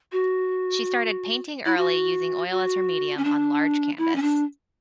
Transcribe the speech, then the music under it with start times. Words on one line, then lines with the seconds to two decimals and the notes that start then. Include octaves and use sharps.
She started painting early, using oil as her medium, on large canvas.
0.12 F#4
1.65 E4
1.77 F#4
2.51 F#4
3.17 C#4
3.24 D4
3.98 E4
4.15 C#4
4.22 D4